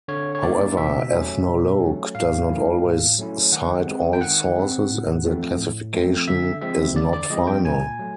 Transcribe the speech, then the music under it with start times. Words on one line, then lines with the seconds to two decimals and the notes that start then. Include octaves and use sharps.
However, Ethnologue does not always cite all sources and the classification is not final.
0.08 D3 C#5
0.35 C#5
0.43 G3 A#3 D#4 D5
0.77 B2 E5
1.12 F#3 A3 C#4
1.46 B2
1.80 F#3 A3 C#4
2.15 A2 F5
2.49 F#3 A3 C#4 E4
2.84 A2
3.18 F#3 A3 C#4 E4
3.52 D#3 F#5
3.87 G#3 C4
4.13 G5
4.21 D#3 F#5
4.55 G#3 C4
4.90 A2
5.24 F3 A3 C4
5.58 A2
5.93 F3 A3 C4
6.27 D3 E5
6.62 F3 G#3 C4 E5
6.96 D3 D5
7.13 D5
7.30 F3 G#3 C4 D#5
7.47 G5
7.65 A#2 G#5
7.99 F#3 A3